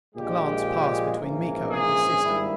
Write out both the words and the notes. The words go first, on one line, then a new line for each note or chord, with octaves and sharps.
A glance passed between Miko and his sister.
A#1 A#2 G#3 G4
A#1 G#2 E3 A#3 C#4
G#4
G#1 G2 G3 A#3 E4